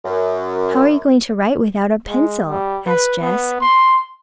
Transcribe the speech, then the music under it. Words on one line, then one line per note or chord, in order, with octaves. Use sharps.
"How are you going to write without a pencil?" asked Jess.
F#2
G#3
G3
B4
B3
C6